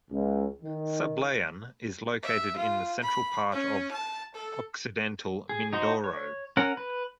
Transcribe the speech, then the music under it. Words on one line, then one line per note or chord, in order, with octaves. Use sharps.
Sablayan is located in the central part of Occidental Mindoro.
C#2
D#3
E5
F4
B5
C#4
A5
A4
G#4
D#4 F#4 C5 D#5
C#5
C#4 A#4 F#5
B4